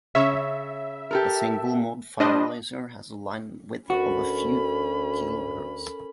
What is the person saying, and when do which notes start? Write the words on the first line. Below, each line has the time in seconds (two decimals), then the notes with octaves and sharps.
A single mode fiber laser has a linewidth of a few kHz.
0.15 C#3 C#5 E5
1.11 G4 A4 A#4
2.20 G3 D4 C5 D#5
3.90 D2 C#4 F#4 A4 A#4 B5